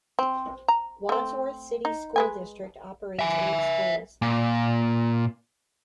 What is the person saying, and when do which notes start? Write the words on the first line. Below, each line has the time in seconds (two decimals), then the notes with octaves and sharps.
Wadsworth City School district operates eight schools.
0.19 C4
0.68 A#5
1.09 A3 C4
1.85 D#4
2.16 G#3 B4 G#5
3.19 E5 G#5
4.22 A#2